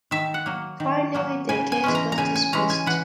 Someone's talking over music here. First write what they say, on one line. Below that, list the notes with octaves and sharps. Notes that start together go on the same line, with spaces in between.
Finally the case was dismissed.
D#3 E5
F#5
F#3 A#3
D#3
F#3 A#3
C#3 G#5
G#5
E3 G#3 C#4
A#5
A#5
C#3 G#5
G#5
E3 G#3 C#4 A#5
G#5
E3 F#5